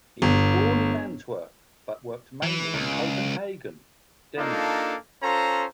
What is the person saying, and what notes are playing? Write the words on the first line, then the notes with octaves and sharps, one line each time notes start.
He was born in Antwerp but worked mainly in Copenhagen, Denmark.
G1
E3
C#2
A#3 D4 D#4 F4 A4
C#4 F4 A4 C5 A#5